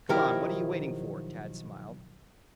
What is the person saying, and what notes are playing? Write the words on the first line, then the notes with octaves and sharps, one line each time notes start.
"Come on, what are you waiting for?" Tad smiled.
B1 D#3 F3 E4 G4 A#4